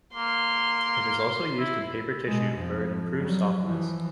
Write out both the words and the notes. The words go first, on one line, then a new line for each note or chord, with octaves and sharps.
It is also used in paper tissue where it improves softness.
A#3 C6
E4
B2 G#3
F2 F3
F#3 G3
E3 F3